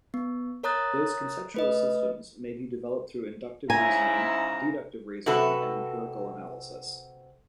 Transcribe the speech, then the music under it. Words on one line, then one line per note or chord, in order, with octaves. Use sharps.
Those conceptual systems may be developed through inductive reasoning, deductive reasoning, and empirical analysis.
B3
A#4 C#5 A#5 D#6 F#6 A6
A3 B4 D#5
G#2 C#3 E4 G#5 A#5
C3 F#4 A4 B4